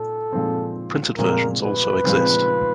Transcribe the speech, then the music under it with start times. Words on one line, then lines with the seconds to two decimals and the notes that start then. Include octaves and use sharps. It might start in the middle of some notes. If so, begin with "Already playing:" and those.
Printed versions also exist.
Already playing: A#2 A4
0.32 A#2 F3 G#3 C4
1.18 A#2 F3 G#3 C4 A#4
1.62 B4
2.04 A#2 F3 G#3 C4